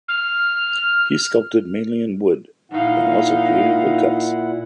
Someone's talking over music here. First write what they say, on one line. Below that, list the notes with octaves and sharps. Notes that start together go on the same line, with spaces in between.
He sculpted mainly in wood and also created woodcuts.
F6
A#2 D#4 E4 F5 F#5